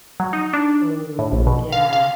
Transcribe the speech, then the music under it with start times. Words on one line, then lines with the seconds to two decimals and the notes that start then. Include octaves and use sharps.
Ooh, yeah.
0.20 F#3
0.33 D#4
0.53 D4
1.19 A2
1.32 A#1
1.47 B2
1.72 F5
1.93 F5